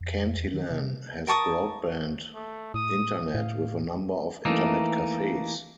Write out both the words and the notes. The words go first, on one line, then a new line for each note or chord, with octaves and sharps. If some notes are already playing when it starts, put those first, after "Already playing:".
Cantilan has broadband internet with a number of internet cafes.
F2
E2
D#3
C3
A#4 A5 C#6 D#6
A3
A2 D#6
A2 F5
E3 A3 A#3 D#4